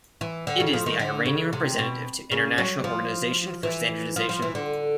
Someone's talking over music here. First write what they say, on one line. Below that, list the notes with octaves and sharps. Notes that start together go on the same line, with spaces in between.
It is the Iranian representative to International Organization for Standardization.
E3
D3
C#3
F3
D#3
D3
C#3
C3
B2
C#3
F#3
F3
E3
F3
F3
E3
D3